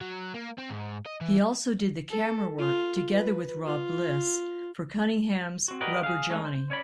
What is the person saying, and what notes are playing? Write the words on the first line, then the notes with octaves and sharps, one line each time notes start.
He also did the camerawork, together with Rob Bliss, for Cunningham's "Rubber Johnny".
F#3
A#3
C4
G#2
D#5
E3
A4
F4
B4
F4
C4 F#4
F#4 G4 A#4 B4 D5 D#5
G#4 F5
G#3 A3 C#4 D#4
C5
C#4 C#5 D5 B5